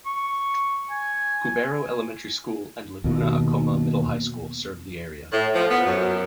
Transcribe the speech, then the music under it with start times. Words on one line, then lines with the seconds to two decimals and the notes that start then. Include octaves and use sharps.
Cubero Elementary School and Laguna Acoma Middle-High School serve the area.
0.06 C#6
0.91 G#5
3.04 D#2 B2
5.32 A2
5.54 F3
5.69 B3
5.85 F#2